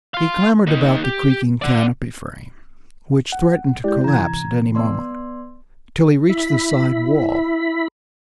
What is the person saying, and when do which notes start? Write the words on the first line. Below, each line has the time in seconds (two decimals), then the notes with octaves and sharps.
He clambered about the creaking canopy frame, which threatened to collapse at any moment, till he reached the side wall.
0.14 F5 C6
0.67 A#3 D#4
1.04 G4
1.62 D5 F#5
3.32 F#5
3.84 G#3 E4 G4 D5 G6
4.04 G#2 C3 E3 A#5 G#6
4.75 B3 D5 C6
6.29 E4 B5